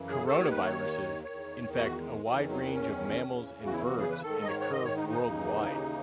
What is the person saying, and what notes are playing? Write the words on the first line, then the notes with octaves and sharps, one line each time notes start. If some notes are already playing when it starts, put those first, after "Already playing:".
Coronaviruses infect a wide range of mammals and birds and occur worldwide.
Already playing: F#2 C#3 E3
G#4
D#2 D#3 A4
C#5
B4
C#5
E2 D#3 C#5
F#4
G#3
E2 D#3 F#3
E3
F#3
E3
C#4
E2 C#3 E3
F#4
E4
F#4
G#4
B4
G#2 D#3 A4
D#5
C#5
C#5
D#5
C#5
D#4
D#4
D#2 C#3 E3